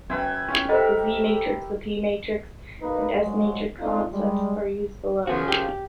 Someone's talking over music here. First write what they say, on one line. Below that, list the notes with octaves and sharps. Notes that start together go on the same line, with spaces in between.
The Z-matrix, P-matrix and S-matrix concepts are used below.
F#2 B4 E5 G5 G#6
C#4 E4
E4 G4 A4 A#4 C5 D#5 E5 F#5
B1 A#3 D#4 B4
G2 F3 F#3 G#3
A3 C4 D4 D#4 F4
G3 G#3
F#2 C#3 E3 F3 B3 F#4
G4